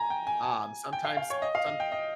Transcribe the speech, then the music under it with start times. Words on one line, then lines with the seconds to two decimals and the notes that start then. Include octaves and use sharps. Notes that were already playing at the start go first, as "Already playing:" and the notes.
um, sometimes some
Already playing: G#5 A#5
0.10 G5
0.27 G#5
0.43 G#5
0.93 G5
1.05 F5
1.17 F5
1.30 C#5
1.42 D#5
1.55 F5
1.67 D#5
1.80 G5
1.92 D#5